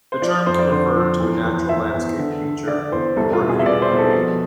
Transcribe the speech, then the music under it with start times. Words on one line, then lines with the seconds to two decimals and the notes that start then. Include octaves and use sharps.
The term can refer to a natural landscape feature or a human-created one.
0.12 C5
0.22 F3 D5
0.46 F2 C5
0.59 D5
0.71 D3 C5
0.96 F3
1.20 E2
1.45 E2
1.69 E2 E5
1.94 E2
2.18 D3
2.43 D3
2.67 D3 D5
2.92 E2 C5
3.16 C2 A4
3.33 F4
3.41 B2
3.49 G#4
3.59 E5
3.66 B2 D5
3.82 C5
3.91 B2
3.98 A4
4.15 F3